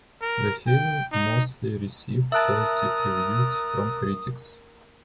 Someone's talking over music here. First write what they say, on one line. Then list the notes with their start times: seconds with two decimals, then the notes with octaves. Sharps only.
The film mostly received positive reviews from critics.
0.21 A#4
0.67 G5
1.12 D#4
2.32 A#4 E5 A5 D#6 E6 F#6 A6